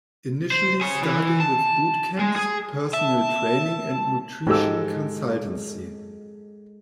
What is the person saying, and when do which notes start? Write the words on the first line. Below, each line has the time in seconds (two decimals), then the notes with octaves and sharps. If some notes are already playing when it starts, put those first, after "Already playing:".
Initially starting with boot camps, personal training and nutrition consultancy.
0.51 C5
0.81 G#4 C#5
1.03 E3
1.40 A5
2.19 G#3
2.36 G#4
2.93 E5 A5
4.47 G#2 G#3 G4 A4 E6